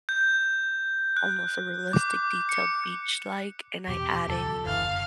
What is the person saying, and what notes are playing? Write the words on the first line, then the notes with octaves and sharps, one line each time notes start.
almost a realistic detailed beach, like, and I add in, you know
G6
F#6
D6
C#7
E2 B2 G4
D#2 C#3 A4
F#1 D3 F5